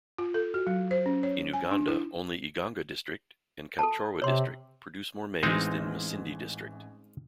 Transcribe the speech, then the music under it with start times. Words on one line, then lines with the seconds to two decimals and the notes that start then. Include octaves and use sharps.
In Uganda, only Iganga District and Kapchorwa District produce more maize than Masindi District.
0.18 F4
0.34 A4
0.54 F#4
0.67 F#3
0.91 C5
1.06 C#4
1.23 C#5
1.53 G#5
1.71 D4
1.88 E4
3.79 A4 A5
4.22 C3 C#5 C6
5.43 A1 E3 G#3 C4 D#4 F6